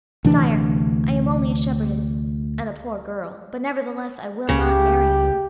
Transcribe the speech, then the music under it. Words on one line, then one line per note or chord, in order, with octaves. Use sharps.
"Sire, I am only a shepherdess, and a poor girl, but, nevertheless, I will not marry you."
D2 C3 E3 D4
C#2 C#3 G4